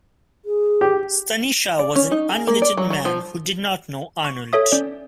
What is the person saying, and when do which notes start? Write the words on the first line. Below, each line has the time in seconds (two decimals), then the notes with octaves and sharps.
Stanisha was an unrelated man who did not know Arnold.
0.45 G#4
0.81 G4
1.79 D5
1.95 C#4
2.11 D#4
2.30 G#4
2.47 A#3
2.62 D5
2.77 F#3
2.90 F#3
3.05 F3
4.25 C#6
4.53 A4 C#5 E5 D#6
4.72 C#4 D5